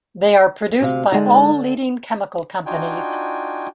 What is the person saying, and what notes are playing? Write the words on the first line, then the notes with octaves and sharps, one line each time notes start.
They are produced by all leading chemical companies.
D2 C3 F5
D3 G#3 D#4
D4 D#4 F4 F#4 G5 G#5